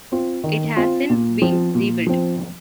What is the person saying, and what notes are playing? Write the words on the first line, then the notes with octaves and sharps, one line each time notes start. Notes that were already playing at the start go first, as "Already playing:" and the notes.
It has since been rebuilt.
C4 F4
D#3
C4 F4
A#2
F3 C4
A#2
F3 C4